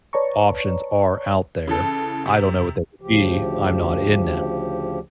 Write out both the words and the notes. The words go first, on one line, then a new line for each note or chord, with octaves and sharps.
options are out there. I don't know what that would be. I'm not in NASA.
B4 C#5 D5 A5 A#5 C#6
C#3 E3 A4
C3
D2 C#3 F3 G4